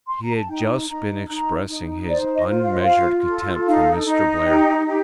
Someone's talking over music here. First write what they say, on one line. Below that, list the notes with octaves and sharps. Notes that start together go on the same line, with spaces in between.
He had just been expressing his unmeasured contempt for Mr. Blair.
C6
A#5
A5
D#4 G5
D#4 A#5
D#4 A#5
D#4
C5 D5
D#5
F4
F5
D#5
F5
F4
A4
D#4 F5
D#4
G4 G5
G4